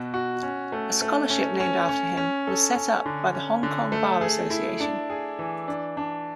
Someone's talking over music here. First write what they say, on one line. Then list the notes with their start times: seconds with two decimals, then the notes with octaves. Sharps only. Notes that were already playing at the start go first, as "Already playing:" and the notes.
A scholarship named after him was set up by the Hong Kong Bar Association.
Already playing: B2 F#4
0.14 F#4
0.43 C#4
0.72 A3
1.02 A3
1.30 C#4
1.60 C#4
1.89 C#4
2.17 C#4
2.47 A4
2.76 C#4
3.06 D3
3.34 C#4
3.63 D3
3.92 A3
4.21 G#4
4.50 E4
4.80 D4
5.10 G#4
5.39 E3
5.68 D4
5.97 D4